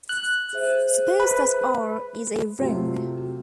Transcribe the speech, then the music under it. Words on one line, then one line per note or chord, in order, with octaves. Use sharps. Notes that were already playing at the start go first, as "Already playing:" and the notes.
Suppose that "R" is a ring.
F#6
G#4 C5 E5
B4
C3 F#3 A3 F4